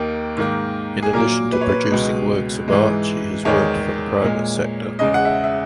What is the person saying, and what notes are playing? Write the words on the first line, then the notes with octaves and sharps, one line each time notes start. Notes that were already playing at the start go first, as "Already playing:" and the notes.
In addition to producing works of art she has worked for the private sector.
Already playing: D#2 D#3 A#3
G#2 D#3 A#3
G#4
A#2 F#3 A#3 A#4
B4
C#5
B4
C#2 B2 G#3
G#2 E3 G#3
E2 D#3 G#3 C#5
A#2 G#3
E2 C#3 G#3 D#5
F#5
E5
E5